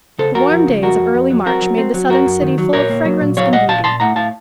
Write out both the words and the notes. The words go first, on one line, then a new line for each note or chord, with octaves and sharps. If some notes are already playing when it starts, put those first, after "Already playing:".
The warm days of early March made the southern city full of fragrance and beauty.
C#3 A4 C5
F2 F#4 A#4
F3
C#3
F2 F#4 A#4
F2
F2
F#3
C4 F#4 A#4
F#3
C4
F#3
F#2 F#4 A#4
F#2
D#3
F#3
A#2 A#4 C#5
A#3
F#3
A#2
F#3 C#5 F5
A#2 D#5 F#5
A#2 F5 A5
A#2 A5 C6
A2 F#5 A#5
A2 F5 A5